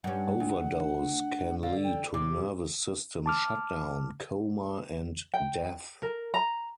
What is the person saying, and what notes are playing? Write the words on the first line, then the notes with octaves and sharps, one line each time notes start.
Overdose can lead to nervous system shutdown, coma and death.
G2 C#4 F#5
D2
D3 F5
G5
C3 D6
A5 D6 F6
G5
A#4
A#5